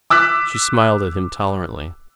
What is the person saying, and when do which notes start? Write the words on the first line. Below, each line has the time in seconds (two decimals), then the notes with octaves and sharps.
She smiled at him tolerantly.
0.10 D6 E6 F#6 B6